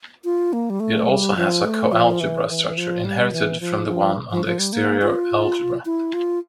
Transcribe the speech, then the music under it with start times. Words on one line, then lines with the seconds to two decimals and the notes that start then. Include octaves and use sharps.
It also has a coalgebra structure inherited from the one on the exterior algebra.
0.24 F4
0.53 A#3
0.70 G3
0.80 A3
1.08 G3
1.37 F3
1.65 A3
1.92 F3
2.21 E3
2.49 E3
2.77 F3
3.05 G3
3.33 E3
3.60 F3
3.88 F3
4.31 F3
4.45 F3
4.59 G3
4.73 A#3
5.02 F4
5.85 E4
6.14 F4